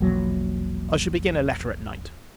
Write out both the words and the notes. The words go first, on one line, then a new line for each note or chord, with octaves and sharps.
I shall begin a letter at night.
E1 A#1 A#2 F#3